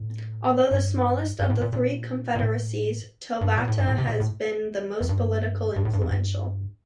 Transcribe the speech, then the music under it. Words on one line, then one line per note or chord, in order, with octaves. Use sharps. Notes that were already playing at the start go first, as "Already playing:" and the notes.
Although the smallest of the three confederacies, Tovata has been the most politically influential.
Already playing: A2
G2
G2
A2
A#2
A#2
A#2
A2
G2
A#2
A2
G2
A2
C3
A#2
A2
F2
G2
G2
A2
G2
F2
G2